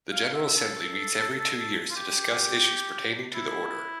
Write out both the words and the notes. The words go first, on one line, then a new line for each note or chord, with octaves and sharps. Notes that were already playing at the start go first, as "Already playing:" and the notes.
The General Assembly meets every two years to discuss issues pertaining to the Order.
F5
E5
A4
F4
G4
E4